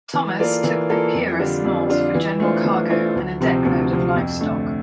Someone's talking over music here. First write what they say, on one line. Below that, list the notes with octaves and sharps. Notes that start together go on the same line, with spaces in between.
Thomas took the "Peeress" north for general cargo and a deckload of livestock.
E3
A#3 F4 A4 D5
E3
A#3 F4 A4 D5
F2
D3 G3 D4 F4
F2
D3 G3 D4 F4
E3
A3 D4 F4 C5
E3
A3 D4 F4 C5
D2
C3 F3 C4
D2
C3 F3 C4
F2
D3 A3